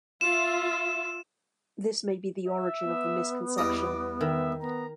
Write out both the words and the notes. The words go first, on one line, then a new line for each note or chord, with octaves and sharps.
This may be the origin of the misconception.
F4 E5 E7
E5
B3
E2 G3 D#5 D6
D#3 E5
B3 A#5